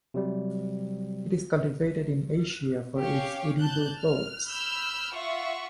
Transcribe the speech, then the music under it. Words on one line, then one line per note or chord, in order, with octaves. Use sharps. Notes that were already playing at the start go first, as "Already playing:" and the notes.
It is cultivated in Asia for its edible bulbs.
C3 F#3 G3
C#4 G4 C#5 F5
A5 F#6 G6
F6
B5 E6 F6 G6
F4 E5 F#5 C#6